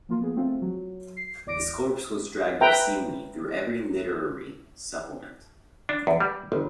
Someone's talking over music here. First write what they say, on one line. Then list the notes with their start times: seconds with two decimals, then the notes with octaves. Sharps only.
His corpse was dragged obscenely through every literary supplement.
0.09 F3 A#3 F4
0.21 B3 G#4
0.36 A3 C4 F4
0.62 F#3
1.17 C7
1.46 G1 E2 D5 D6 A#6 D7
2.61 B4 E5 G5 A#5
5.89 D4
6.07 E2
6.20 G3
6.52 G1